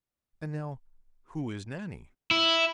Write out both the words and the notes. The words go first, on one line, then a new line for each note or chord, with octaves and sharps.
And, now, who is Nannie?
E4